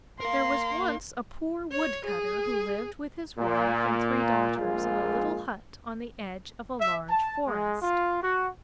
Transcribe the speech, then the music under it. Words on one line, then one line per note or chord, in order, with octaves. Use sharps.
THERE was once a poor Woodcutter who lived with his Wife and three Daughters in a little hut on the edge of a large forest.
A#4 F5 C6
C#5
G#4
A#2
A#1 G#3 A#3 F4 G#4
E5
A5
G#3
F4
F#4